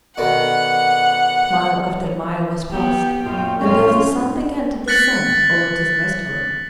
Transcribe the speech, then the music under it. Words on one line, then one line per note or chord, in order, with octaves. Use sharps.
Mile after mile was passed, until the sun began to descend over to the westward.
B2 D3 D#3 F#5
B3 G4 G5
F#2 A#2 F4
F2 A2 C#4 F4
F#6 A6 B6 C#7 F#7